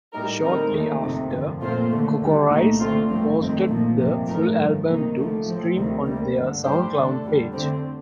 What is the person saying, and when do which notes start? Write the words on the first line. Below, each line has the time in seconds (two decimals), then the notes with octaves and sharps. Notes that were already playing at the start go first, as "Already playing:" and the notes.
Shortly after, CocoRosie posted the full album to stream on their SoundCloud page.
0.13 A2 G3 A#3 D#4 A#4
0.43 D3 G3 C4 D#4 A#4
0.72 D#2 D#3 A3
1.01 G1 F2 C3 D#3
1.31 F2 D3 F3
1.60 A#2 A3 C4 F4 C5
1.90 D#2 D3 A3
2.20 D#2 D3 G3
2.50 C2 A#2 A3 D#4
2.79 D3 A3 C4 F4
3.09 A1 G2 F3 A3 C4
3.39 G1 F2 D#3 A3 C4
3.68 A#1 A#2 F3
3.98 G1 F2 C3 F3 A#3
4.27 A2 F3 A3 D#4 A#4
4.57 G1 G2 F3 A3
4.87 C2 C3 D#3 A#3 D#4
5.17 D3 F3 A3
5.46 A2 F3 C4
5.75 D2 C3 D#3 G3
6.05 D2 C3 G3 A#3
6.35 G1 G2 D3
6.64 A2 G3 D4 G4 C5
6.93 D3 A3 D4 A4
7.23 F2 D3 G3
7.53 D3 A3 C4